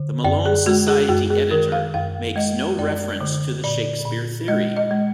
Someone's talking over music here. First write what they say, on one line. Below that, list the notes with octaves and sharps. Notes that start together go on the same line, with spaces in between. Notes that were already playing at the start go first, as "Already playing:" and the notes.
The Malone Society editor makes no reference to the Shakespeare theory.
Already playing: D3
F#2 D5
G#4
G#3 F#4
G#4
F#2 F#4
G#4
D#3 A#4
F5
F#2 F5
G#3 D#5
F#2 D5
D3
A#2 D5
A#2
G#3 D#5
D#5
G#3